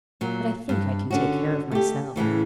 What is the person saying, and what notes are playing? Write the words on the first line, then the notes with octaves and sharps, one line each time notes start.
But I think I can take care of myself.
A#2 F#3
G2
D3 C#4 F#4
A3 G4
A2 C#3 E3 C#4